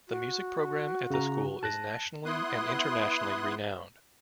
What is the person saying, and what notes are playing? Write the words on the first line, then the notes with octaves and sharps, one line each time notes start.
The music program at the school is nationally and internationally renowned.
F#4
C#3 A#5
A5 F#6 A#6
B3 E4 C6 D#6 F#6